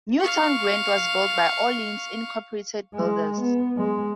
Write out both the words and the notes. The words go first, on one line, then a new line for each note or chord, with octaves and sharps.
Newtown Grant was built by Orleans, Incorporated builders.
F5 C#6
G#3
B3
G#3